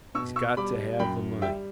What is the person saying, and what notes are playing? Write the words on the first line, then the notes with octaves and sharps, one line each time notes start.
He's got to have the money.
B2 C#6 E6
C#6 E6
G3 B5 D6
F#2 G5 B5
G3 E5 G5